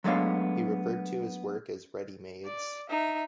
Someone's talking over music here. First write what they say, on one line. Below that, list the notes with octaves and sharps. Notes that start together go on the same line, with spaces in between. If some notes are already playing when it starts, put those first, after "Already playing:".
He referred to his work as "Readymades".
F#3 G#3 A3 B3 D4 F5
D5
D#4 E5